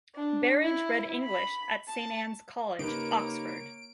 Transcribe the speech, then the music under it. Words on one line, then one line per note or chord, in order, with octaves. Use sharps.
Berridge read English at Saint Anne's College, Oxford.
D4
E4
B5
A5
C#3 A#3 D#4 G4 A#4 B4 C#5 D7